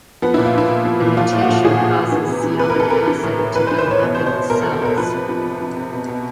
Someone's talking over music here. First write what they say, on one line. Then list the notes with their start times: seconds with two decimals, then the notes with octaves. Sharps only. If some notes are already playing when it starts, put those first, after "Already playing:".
The mutation causes sialic acid to build up in the cells.
0.22 F3 B3
0.34 A#2 E4
0.46 F4
0.54 F3 E4
0.70 A#2
0.85 F3
1.01 A#2
1.17 F3 F4
1.33 A2
1.41 F#4
1.49 F3
1.65 A2 G#4
1.80 F3
1.96 A2
2.12 E3
2.28 C3
2.43 E3
2.59 C3 B4
2.70 A#4
2.76 E3 A4
2.90 C3 A#4
3.08 E3
3.23 A2
3.39 E3
3.55 A2 B4
3.67 C5
3.71 E3
3.79 C5
3.87 A2 C#5
4.02 B2 C#5
4.15 C5
4.19 B2
4.26 C5
4.34 B2
4.50 B2 A#4
4.61 A4
4.66 B2
4.74 A4
4.82 B2 A#4
4.97 F3 B4
5.14 C3
5.29 F3
5.45 C3
5.61 F3
5.77 C3
5.93 B2
6.08 B2